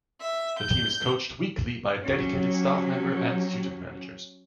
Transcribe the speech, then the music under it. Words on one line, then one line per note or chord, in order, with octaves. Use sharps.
The team is coached weekly by a dedicated staff member and student managers.
E5
G6
F#3 C#4 G4